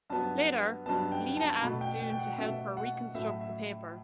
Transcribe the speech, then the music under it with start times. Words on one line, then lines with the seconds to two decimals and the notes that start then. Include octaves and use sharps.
Later, Lina asks Doon to help her reconstruct the paper.
0.10 G2 F#3 B3 A5
0.86 G2 F#3 B3 A5
1.12 G5
1.37 A5
1.62 B2 A3 B5
1.81 G5
2.00 G5
2.10 G5
2.19 F#5
2.38 B2 A3 E5
2.77 F#5
3.15 A2 F#3 A3 E5
3.41 E5